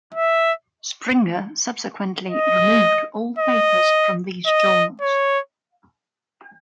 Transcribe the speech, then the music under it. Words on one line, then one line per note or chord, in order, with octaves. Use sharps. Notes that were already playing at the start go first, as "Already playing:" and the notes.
Springer subsequently removed all the papers from these journals.
E5
D#5
D#5
D#5
C#5